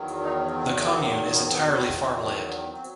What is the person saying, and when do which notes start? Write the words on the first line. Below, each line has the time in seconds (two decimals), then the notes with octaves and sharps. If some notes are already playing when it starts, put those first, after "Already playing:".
The commune is entirely farmland.
Already playing: E2 D#3 F#3
0.23 D#4
0.54 C4
0.86 C4
1.31 B3
1.42 C4
1.52 B3
1.77 E4
2.00 D#4
2.24 C4
2.47 B3
2.69 F#3 C4